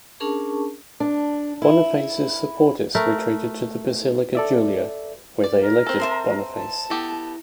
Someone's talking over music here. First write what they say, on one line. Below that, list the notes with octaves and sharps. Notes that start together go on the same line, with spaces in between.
Boniface's supporters retreated to the basilica Julia, where they elected Boniface.
C#4 D4 G#4 A#4 A5 C#6
D4
E4
A3 A#4
A4 D5 E5
D5
A#4
C4 A4
C5 E5 A#5 C6
A5
B3 E4 G4 A4